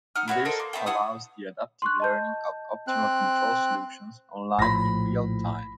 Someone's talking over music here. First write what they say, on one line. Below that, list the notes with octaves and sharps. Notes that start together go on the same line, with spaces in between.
This allows the adaptive learning of Optimal control solutions online in real time.
D#4 F#5 F6
E4 F#4 B4 C#5
A4 A#4 C5 D#5
A#3
B3 C4 E5 G5
D4 E4 F#5 D#6
C6 C#6 F#6
D#5 A5 G6
C4 F#6
A#1 A2 F3 B5 A#6